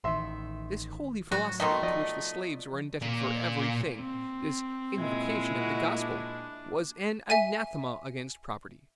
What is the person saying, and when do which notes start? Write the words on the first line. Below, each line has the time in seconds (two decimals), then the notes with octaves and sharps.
This holy philosophy, to which the slaves were indebted for every thing, this invocation of the Gospel, was an anathema against property.
0.04 A1 D#3 E5 C6
1.32 A2 F#3 F#4
1.60 B2 D#3 A3 D#5 A#5 C6
1.83 F3 D5 D#5
3.02 A#2
3.97 C4
4.97 A#2 G#3 E4
5.58 F#4
6.00 D4
7.30 E5 G#5 D#7